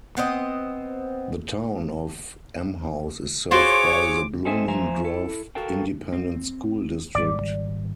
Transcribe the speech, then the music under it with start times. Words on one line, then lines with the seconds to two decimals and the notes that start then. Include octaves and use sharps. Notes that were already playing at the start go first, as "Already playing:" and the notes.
The Town of Emhouse is served by the Blooming Grove Independent School District.
0.17 B3 C4 C5 D#5
3.51 F4 F#4 G#4 C5 C#5 D6
4.45 C4 A4 C5 D#5 E5 G#5
4.68 F3 C5 E5 G#5 A#5
5.04 E4 A4
5.55 F#4 A4 A#4 F5 G5
6.13 C4
7.15 G#1 G3 D5